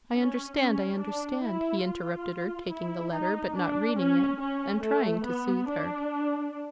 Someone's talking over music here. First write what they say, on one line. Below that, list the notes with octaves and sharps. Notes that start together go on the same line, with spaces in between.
"I understand, I understand," he interrupted her, taking the letter, but not reading it, and trying to soothe her.
C#4
C#4
D4
E4
F4
E4
D#4
D4
C#4
C#4
A3
B3
D4